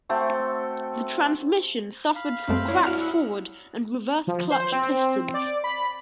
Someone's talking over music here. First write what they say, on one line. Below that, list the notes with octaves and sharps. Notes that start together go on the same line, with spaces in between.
The transmission suffered from cracked forward and reverse clutch pistons.
A3 C4 F#4
F5 B5
F#2 G#3 A3 C4
E4 C#5 D5
F#4 F6
E5 F#5 B5
F3
C5
C4
D5
B5